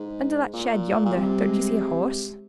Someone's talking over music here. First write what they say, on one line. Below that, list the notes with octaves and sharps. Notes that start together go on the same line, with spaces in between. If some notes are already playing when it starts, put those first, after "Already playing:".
"Under that shed yonder, don't you see a horse?"
Already playing: G#2
A#2
A#2
C3 G3
G#3